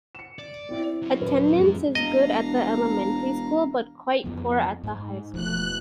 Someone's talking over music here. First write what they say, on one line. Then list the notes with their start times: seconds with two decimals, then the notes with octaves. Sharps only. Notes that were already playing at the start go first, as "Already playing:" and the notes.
Attendance is good at the elementary school but quite poor at the high school.
0.15 C#7 E7
0.39 D5
0.69 C4 E4
1.02 F#3 C#4
1.20 D#1 B4
1.58 F2 G#2 G#4
1.95 E1 D4 D#5 F5 A#5
4.24 F2 F3 B3
4.84 G#2
5.34 E1 F3 A3 F#6